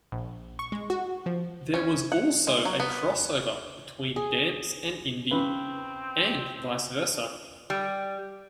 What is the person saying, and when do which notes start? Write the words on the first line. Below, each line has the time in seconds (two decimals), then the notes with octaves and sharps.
There was also a crossover between dance and indie, and vice versa.
0.12 A#1
0.59 C#6
0.72 G#3
0.90 F#4
1.26 F3
1.74 C#4
2.12 F#5
2.47 G#3
2.65 F#3
2.80 B3
4.16 G#4
5.31 C#3 C4 B4 B5
7.70 G3